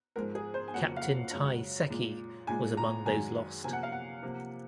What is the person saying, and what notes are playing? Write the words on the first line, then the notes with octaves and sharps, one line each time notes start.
Captain Tei Seki was amongst those lost.
G#2 F3 G#3 A#4
G#4
C5
G#5
F2 C#3 F#3 A#3 F#5
F5
F#5
F#2 C#3 G#3
A#2 G#3
A#2 G#3 G#5
A#5
F#2 D#3 G#3 G#5
C3 F3 A#3 G#5
F#5
F5
F#5
C3 F3 A#3